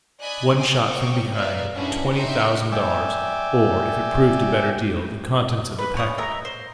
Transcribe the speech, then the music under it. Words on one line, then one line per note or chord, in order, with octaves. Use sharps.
One shot from behind,--and twenty thousand dollars,--or, if it proved a better deal, the contents of the packet.
D5 D#5 G#5 B5 F#6 G#6
G5 G#5 C6 D6 D#6
A#4 C5 C#5 G5 C#6 D6
A#4 B4 D5 E5 F5
C#4 D4 E4 F#4 G#4 B4
D#4 F#4 E5 G5 C6
D5 E5 G5 G#5
B4
C#4 D#6
D#5 E5 A#5
C5